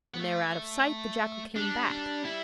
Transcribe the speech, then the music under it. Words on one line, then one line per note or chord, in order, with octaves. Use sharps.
When they were out of sight the jackal came back.
B3
A3
G3 D4
D4
E4